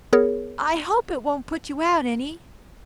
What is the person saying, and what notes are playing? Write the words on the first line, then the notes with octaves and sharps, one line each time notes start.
"I hope it won't put you out any."
B3 G#4 A#4 C#5